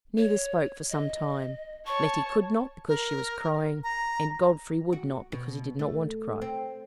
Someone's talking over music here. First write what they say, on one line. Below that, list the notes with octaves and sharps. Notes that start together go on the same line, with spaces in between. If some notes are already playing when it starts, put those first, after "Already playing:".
Neither spoke for some time; Letty could not because she was crying, and Godfrey would not because he did not want to cry.
C#5
D#5
C#5 A5 C#6
A#4
A#5
F#4
B2
A3
C4